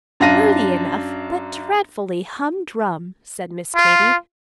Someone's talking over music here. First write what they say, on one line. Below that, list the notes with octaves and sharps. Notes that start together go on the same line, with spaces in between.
"Worthy enough, but dreadfully humdrum," said Miss Katy.
F#2 D4 F5 A#6 D#7
F4